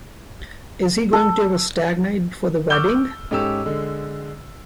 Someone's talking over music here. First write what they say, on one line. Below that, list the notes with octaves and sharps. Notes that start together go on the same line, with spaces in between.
Is he going to have a stag night before the wedding?
A4
C#6 D6 E6 F6 G6 G7
G#2 C#4 G4 A4 E6
D3 G#3